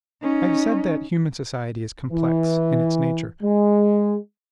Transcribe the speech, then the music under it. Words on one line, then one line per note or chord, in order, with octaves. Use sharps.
I have said that human society is COMPLEX in its nature.
C#4 D#4
E3
G#3